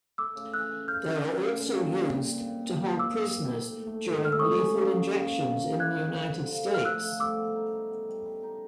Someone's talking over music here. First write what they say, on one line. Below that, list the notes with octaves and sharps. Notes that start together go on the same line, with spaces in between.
They are also used to hold prisoners during lethal injections in the United States.
A3 D6 E6
C#3
E3 E6 F#6
E3
C#3 F6 G6
C#3
A3
C#3
A#2
G3
A#2
C4
A#2
A#2
A#2
A#2
G#2 D6 E6
G#2
G#2
A3
A3
A3
G#2
A3 F6
E6
C#4 C#6 D#6
C#4
A#3
F3
F3
F3
F3
A#3
D3 F#6 G#6
F3
F3
D3
F3
A3
F6
F3 E6 F#6
A3
G3 D6 E6
B3
D#4
D#4
B3
G3
G3
D#4